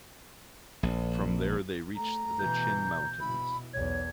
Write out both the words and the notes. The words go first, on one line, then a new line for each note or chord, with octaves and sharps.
From there they reached the Chin Mountains.
A#1
A3 A#5
B2 E3 G6
B2 E4 B5
B1 E2 C#5 G#6